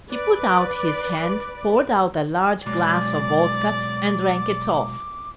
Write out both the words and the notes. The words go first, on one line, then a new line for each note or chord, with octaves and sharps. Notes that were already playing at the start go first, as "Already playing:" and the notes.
He put out his hand, poured out a large glass of vodka and drank it off.
B4 D5
B2 F#3 G#3 D5 D6